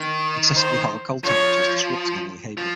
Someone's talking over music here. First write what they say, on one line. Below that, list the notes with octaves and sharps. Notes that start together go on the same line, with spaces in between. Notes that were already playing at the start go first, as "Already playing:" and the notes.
Excessively hot or cold temperatures disrupt normal behavior.
Already playing: D#3
C5
F3 C#5
F3